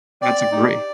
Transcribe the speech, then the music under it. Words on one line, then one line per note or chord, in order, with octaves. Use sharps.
That's a grea
C4 D5
D#4 G4